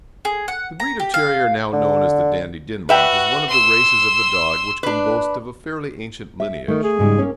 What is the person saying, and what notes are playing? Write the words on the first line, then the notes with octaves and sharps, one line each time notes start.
The breed of terrier now known as the Dandie Dinmont is one of the races of the dog which can boast of a fairly ancient lineage.
G#4
F#5
A#5
G4
F5
D3
F#4 B4 E5 G5
C6 E6
D4 B4
E5
D#3 A3
G#4
G#2 C#3 G3
A#3 C#4